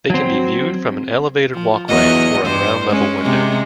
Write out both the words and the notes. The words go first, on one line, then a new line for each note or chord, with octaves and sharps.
They can be viewed from an elevated walkway, or a ground level window.
F#3 C4
F3
E2 F#3 D#5
G2 C5
G#3 C#4
C3 G#3